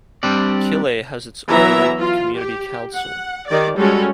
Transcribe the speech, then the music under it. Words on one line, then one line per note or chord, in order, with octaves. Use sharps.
Killay has its own community council.
G3 C4 D4 G4 D5
E3 F#3 B3 E5 A#5
F4
G4
F#5
D#3 G4 D5
G3 G#3 C#4 F#4 A4